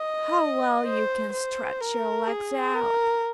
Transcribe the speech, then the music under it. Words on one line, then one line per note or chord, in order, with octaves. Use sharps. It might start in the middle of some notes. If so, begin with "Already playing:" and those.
How well you can stretch your legs out!
Already playing: D#5
C5
C5
A#4
G#4
A#4